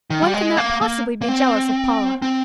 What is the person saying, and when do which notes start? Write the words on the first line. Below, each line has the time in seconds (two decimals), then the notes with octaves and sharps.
One could not possibly be jealous of Paula.
0.10 D#3
0.22 G3
0.34 G#3
0.57 A#3
0.81 A#3
1.22 A#3
1.28 C4
2.22 C4